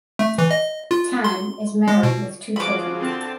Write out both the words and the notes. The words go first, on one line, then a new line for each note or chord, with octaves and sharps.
Tan is married with two children.
A3
E3
D#5
F4
C6
G#3
B2
F3 F4 F#4 G#4 B5 D6
D3 C4 A5